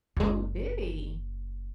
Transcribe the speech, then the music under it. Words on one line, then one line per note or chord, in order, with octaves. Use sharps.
Oh, did he?
F#1 D2 G#3